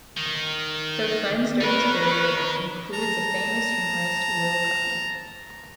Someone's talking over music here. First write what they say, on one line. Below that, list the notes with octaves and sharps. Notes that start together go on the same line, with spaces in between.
Her friends during this period included the famous humorist Will Cuppy.
D#3
D#4 A#4 B4 C#5
A5 A#5